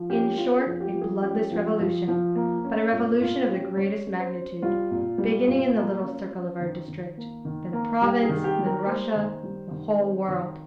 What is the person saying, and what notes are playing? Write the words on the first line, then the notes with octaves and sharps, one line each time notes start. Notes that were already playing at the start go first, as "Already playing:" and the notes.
In short, a bloodless revolution, but a revolution of the greatest magnitude, beginning in the little circle of our district, then the province, then Russia, the whole world.
Already playing: F3
C#4 G4
C#4 F4
G#4
F3
G4
F3
G#4
C#4 G4
F3
F3
F3
A#3
C#4
A#2
A#2 F4
C#4 G4
G3 C#5
C#4
C5
C#4
G3 F4
A#2
G3
A#2
A#3
C#4
C#4
D#3
D#3
A#3
D#3
A#3
G3 G4
G#4
D#3
G4
G3
A#4
A#3 C5
D#3
G3
D#3
C4
D#3